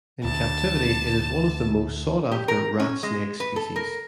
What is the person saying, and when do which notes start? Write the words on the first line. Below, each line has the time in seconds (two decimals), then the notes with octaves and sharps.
In captivity, it is one of the most sought-after rat snake species.
0.24 D2 A5
2.32 G4
2.48 A#4
2.80 C#4
3.03 G#3
3.40 B4
3.56 A4
3.76 A#4